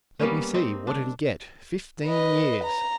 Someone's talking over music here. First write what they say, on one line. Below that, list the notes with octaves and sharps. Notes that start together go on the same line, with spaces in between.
"Let me see, what did he get--fifteen years!"
G3 A#3 B3 C#4
C4 D#4
D4
B4 D#5
A#5